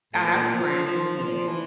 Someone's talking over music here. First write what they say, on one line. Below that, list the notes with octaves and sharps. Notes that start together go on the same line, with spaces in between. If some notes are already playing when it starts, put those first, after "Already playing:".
I have a friend who's married
A2
A#2
F3
F3
F3
E3